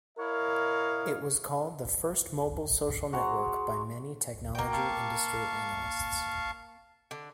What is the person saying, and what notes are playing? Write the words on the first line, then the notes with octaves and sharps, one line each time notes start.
It was called the first mobile social network by many technology industry analysts.
E4 A#4 C#5 D#5 F5
F#4 G#4 A#5 C6
A#3 F#4 G5
F5 A5 C#6
D3